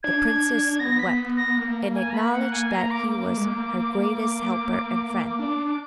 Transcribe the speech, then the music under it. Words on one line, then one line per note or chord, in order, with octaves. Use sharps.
The princess wept, and acknowledged that he was her greatest helper and friend.
D4 G#6
B3 A#6
B6
A#6
A#3
G#5
A#5
B5
F#5
G#5
A#5
D6
A#3 D6
G#3
A#3
D4 D6